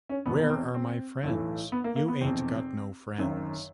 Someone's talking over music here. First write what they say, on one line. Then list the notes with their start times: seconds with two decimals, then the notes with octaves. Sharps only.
Where are my friends? You ain’t got no friends.
0.09 C#4
0.26 E1 E2 B2 B3
0.43 B3
0.50 C4
0.74 C4
1.23 B1 A2 E3
1.72 B3
1.84 A#3
1.96 A#3
2.08 B3
2.20 F1 E2 B2 C4
3.18 G#1 F#2 D#3